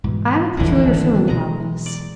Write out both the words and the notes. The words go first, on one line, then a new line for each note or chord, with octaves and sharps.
I have a peculiar feeling about this.
G#2 B2 E3
E1 A#1 F2 D3 E3
G#1
B2 F#3 G#3 B3 A#5
D5